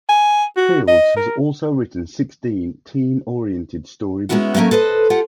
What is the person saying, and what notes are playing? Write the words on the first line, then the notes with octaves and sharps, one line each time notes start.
Fields has also written sixteen teen-oriented story books.
G#5
F#4
D#5
A#4
G#3 A#3 B3 C#4 E4 F#4
F#3 A3 A#3 C#4 A#4
A4 B4 C5 D#5
F4 G4 A4 F#5